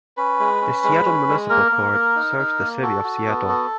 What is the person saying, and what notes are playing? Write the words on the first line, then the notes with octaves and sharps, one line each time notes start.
The Seattle Municipal Court serves the City of Seattle.
C#4 B4
G#3
C#4
G#3
C#4
G#3
A#3 A#4
A#3
A#3
D#4
D#4
A#3
F#4 A4
F#4
B3
F#4